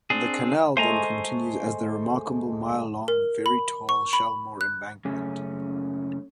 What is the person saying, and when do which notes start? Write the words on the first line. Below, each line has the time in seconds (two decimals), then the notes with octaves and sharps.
The canal then continues as the remarkable mile-long very tall Shelmore Embankment.
0.10 C4 D4 G#4
0.77 G#3 A3 C5 G#5 A#5
3.08 A#4
3.46 B5
3.89 C#6
4.13 B5
4.61 F#6
5.05 F#2 C#3 A3 C#4